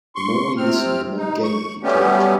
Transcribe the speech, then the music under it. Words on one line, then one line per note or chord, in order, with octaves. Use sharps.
The more we listened, the more gaily he talked.
C6 C#6
C3 C4 F6
D#4
C#6
F#3 G3 A3 B3 C#4 G4